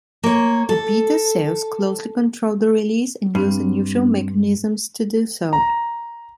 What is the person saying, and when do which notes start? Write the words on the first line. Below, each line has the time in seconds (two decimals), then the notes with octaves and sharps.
The beta cells closely control the release, and use unusual mechanisms to do so.
0.23 A#3 C#5
0.69 A4
3.35 G2 C4 D4
5.53 A#5